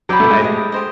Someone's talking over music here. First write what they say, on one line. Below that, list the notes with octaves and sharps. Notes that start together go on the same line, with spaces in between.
And I th
F#3 D5 G5 B5
A3
G#3
G4 B4 D#5
G4 C5 D#5